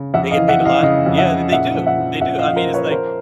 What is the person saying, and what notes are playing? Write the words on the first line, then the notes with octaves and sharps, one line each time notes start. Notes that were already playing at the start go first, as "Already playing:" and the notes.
They get paid a lot? Yeah, th they do. They do, I mean, it's like
Already playing: C#3
F2 E5 F#5
D#5 F5
E3
E5 F#5
E3
D#5 F5
C#3 D#5 F5
F2
E5 F#5
C#3
A#2 E5 F#5
F3
E5 F#5
F3
A#2 E5 F#5
D#5 F5
F3
A#4 C5
F3
B4 C#5
F3 A#4 C5